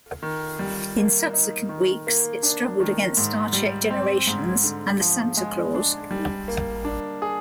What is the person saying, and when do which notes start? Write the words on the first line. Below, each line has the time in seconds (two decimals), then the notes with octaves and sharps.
In subsequent weeks it struggled against "Star Trek Generations" and "The Santa Clause".
0.23 D#3
0.59 G3
0.97 A#3
1.33 D#4
1.69 D#3
2.07 A#3
2.43 D4
2.80 D#3
3.17 G#2
3.53 G3
3.91 C4
4.27 G#2
4.64 D3
5.01 F3
5.37 G#3
5.75 D4
6.11 G3
6.48 A#3
6.85 D4
7.22 G#4